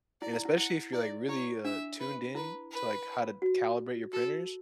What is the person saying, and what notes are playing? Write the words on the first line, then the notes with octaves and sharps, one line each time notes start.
And especially if you're, like, really, uh, tuned in to, like, how to calibrate your printers,
E4 D5
E4
E4
E4 F#5
E4 D5
E4 C#5
D4 E5
B4
E4 B4
B4
F#4
F#4 A4